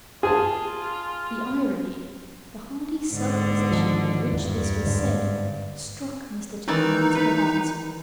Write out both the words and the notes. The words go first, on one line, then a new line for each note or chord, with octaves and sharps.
The irony, the hardy self-possession with which this was said struck Mr. Challoner to the heart.
F4 G#4 G#5 A5
G#2 D3
D#3 F3
E2 G2
G#2 D3
D#3 E3 D#4 D5
B4